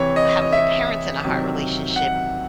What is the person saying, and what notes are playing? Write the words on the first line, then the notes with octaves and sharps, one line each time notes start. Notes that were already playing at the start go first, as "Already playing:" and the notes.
having your parents in a hard relationship,
Already playing: C3 E3 C#5
D#5
D#5
E5
C3 D#3 F#3
F#5